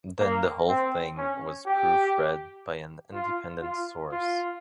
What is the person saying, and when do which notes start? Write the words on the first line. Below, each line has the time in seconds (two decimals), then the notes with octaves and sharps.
Then the whole thing was proofread by an independent source.
0.19 A#3
0.68 C4
1.18 C#4
1.66 G4
3.14 F4
3.62 F4
4.12 F4